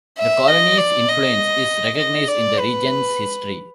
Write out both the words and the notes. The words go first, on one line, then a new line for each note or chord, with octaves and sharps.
The Colony's influence is recognized in the region's history.
E5
D#5
D5
D#5
D#5
D5
B4